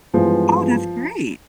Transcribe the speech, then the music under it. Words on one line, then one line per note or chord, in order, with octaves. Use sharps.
Oh, that's great.
G2 E3 F3 G#3 B3